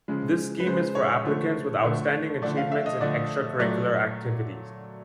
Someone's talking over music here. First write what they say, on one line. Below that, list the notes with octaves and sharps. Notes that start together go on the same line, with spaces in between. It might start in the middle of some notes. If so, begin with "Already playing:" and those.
This scheme is for applicants with outstanding achievements in extracurricular activities.
C#3 F3 G#3
B4
C#3 F3 G#3 C5
C#5
D3 F3 A3
D3 F3 A3
D3 F3 A3 D5
F5
E5
D#5
D3 F3 A3 D5
A#2 F#3 A3 D5